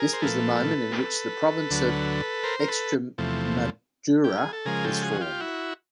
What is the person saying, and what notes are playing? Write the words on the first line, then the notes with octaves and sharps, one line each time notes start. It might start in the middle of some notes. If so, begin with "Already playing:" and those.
This was the moment in which the province of Extremadura was formed.
Already playing: G#4 A#4
C5
A#2 F3 A3 A4 B4
D2 D3 F#3
A#4 C5
A#4
A4 B4
E2 C3 F3 A3
G4
G#4
A4
C#3 F3 G#3 G#4 A#4
G4 A4
F#4 G#4
F#4
F4 G4
E4 F#4